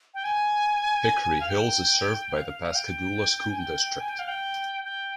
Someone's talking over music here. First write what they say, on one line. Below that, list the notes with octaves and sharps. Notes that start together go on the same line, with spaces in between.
Hickory Hills is served by the Pascagoula School District.
G5
G#5
F5
G5
F5
F5
G5
G#5
G5
G#5
G5
F5
G5
G5